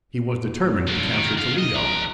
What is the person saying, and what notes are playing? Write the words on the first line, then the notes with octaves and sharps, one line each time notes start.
He was determined to capture Toledo.
G2 D3
D#3
D4 F5
D#5
B4 A#5